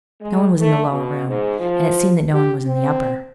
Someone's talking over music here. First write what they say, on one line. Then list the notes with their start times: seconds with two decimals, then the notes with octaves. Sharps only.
No one was in the lower room; and it seemed that no one was in the upper.
0.19 G#3
0.60 A3
0.90 B2
1.27 G#2
1.59 F3
2.34 G4
2.67 C4